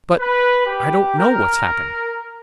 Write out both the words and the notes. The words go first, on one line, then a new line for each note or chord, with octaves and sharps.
"But I don't know what's happened."
B4
G4
A#4